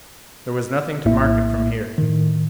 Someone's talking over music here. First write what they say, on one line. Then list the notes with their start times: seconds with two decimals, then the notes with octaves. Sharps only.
There was nothing to mark it from here.
1.05 A#1 A2 A#3 E4 E5
1.98 A2 D#3